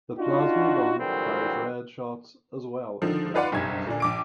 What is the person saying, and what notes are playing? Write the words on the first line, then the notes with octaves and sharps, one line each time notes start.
The Plasma Gun fires red shots as well as green shots.
D4 D#4 F4 F#4
A#2 D3 E3 F#3 G3 C4
D3 D#3 F3
D#4 F4 B4 D5 F#5 C6
F#1 B1 G2 G4 G#6
A#2 D3 D4
A#1 D6 D7